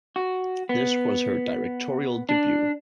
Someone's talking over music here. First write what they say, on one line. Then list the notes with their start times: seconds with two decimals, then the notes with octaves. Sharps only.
This was her directorial debut.
0.16 F#4
0.69 B3
2.29 D4